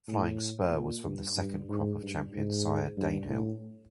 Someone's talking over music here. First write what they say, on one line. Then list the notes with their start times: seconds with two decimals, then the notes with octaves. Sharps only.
Flying Spur was from the second crop of champion sire Danehill.
0.08 A2
0.72 A#2
1.04 G2
1.36 G2
1.69 G#2
2.01 G2
2.34 G#2
2.97 G2
3.29 A2